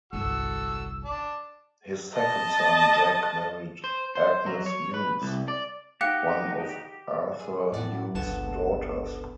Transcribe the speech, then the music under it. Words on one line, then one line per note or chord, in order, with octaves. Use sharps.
His second son, Jack, married Agnes Hughes, one of Arthur Hughes' daughters.
G1 C2 F#4 A4 E6
D5 A5
D#5 A5
C5
C5
F#3
C#5
B4
C2
D5
D#4 F#4 G4 F5 G5 F#6 C#7
G#4
A2 D5 F#5
G1 C#2 D3 B3 A5 E7